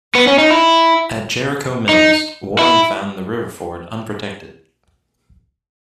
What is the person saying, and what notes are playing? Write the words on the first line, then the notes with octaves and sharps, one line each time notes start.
At Jericho Mills, Warren found the river ford unprotected.
B3
C#4
D#4
E4
D#4
E4